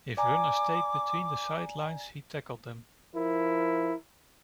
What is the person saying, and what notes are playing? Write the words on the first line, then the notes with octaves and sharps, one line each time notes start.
If runners stayed between the sidelines, he tackled them.
D5 G#5 A#5 D6
F3 E4 A#4